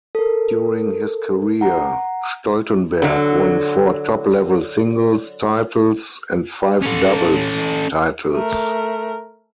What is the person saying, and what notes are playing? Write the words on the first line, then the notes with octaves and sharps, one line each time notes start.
During his career, Stoltenberg won four top-level singles titles and five doubles titles.
A4 A#4
F#5 A#5
D3 F#3
C#4 A4
A3 A#4